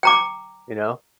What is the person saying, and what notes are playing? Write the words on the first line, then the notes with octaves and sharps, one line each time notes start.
you know?
G5 A#5 D6